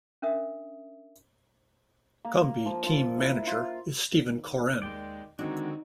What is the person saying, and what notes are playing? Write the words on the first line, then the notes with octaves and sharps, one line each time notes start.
Comby Team manager is Steven Corren.
C#4 D4 A#4 E5 D#6
A#3
F3
F4
E4
F4
D#3
D#2 G#3 D5 G5
D3 D#3 G#3 C4 D4 D#4 F#4